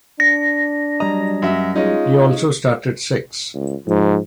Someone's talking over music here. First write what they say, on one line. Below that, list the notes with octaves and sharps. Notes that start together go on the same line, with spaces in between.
He also started six.
D4 A#6
F#3 G3 D#5 A#5
F#2 E5
G#3 C#4 D#4 F4
C#2
G#2 F3